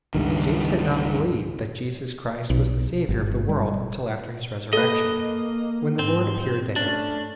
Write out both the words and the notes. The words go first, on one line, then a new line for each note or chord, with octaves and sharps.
James had not believed that Jesus Christ was the Saviour of the world until after His Resurrection, when the Lord appeared to him.
C#2 G2 D#3
B1
G1
G3
A#3 A4 B4 D#5
G#2 C4
A3 C#4 D4